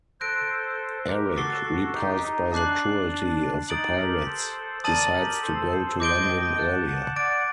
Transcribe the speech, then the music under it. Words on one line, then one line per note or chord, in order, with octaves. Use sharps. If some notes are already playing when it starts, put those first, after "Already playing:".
Eric, repulsed by the cruelty of the pirates, decides to go to London earlier.
A4 C5 F#6 A#6 D7
G4 A#4
F#4 A4 D6 A6 C7 G7
F#4 A4
D#4 G4
D#4
D4 A5 D6 F#6 C7 F#7
D#4 D#6 A6 D7 F#7
G4 A#4
A4 C5
A#4 D5 A5 D#6 A6 D#7 F#7
G4 A#4
A4 C5
A4 C5
C5 D#5 D6 G6 D7 G7
D#5 G5
F#5 A5
F#5 A5
D5 F#5 D6 A6 D7